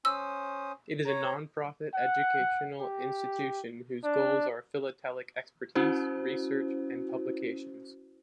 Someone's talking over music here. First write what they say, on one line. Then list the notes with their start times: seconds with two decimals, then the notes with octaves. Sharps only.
It is a non-profit educational institution whose goals are philatelic expertise, research and publications.
0.05 C#4 C5 D#6 E6
1.05 C#5 A#5
1.94 F#5
2.80 G4
4.04 D4
5.75 C#4 E4 F#4 C5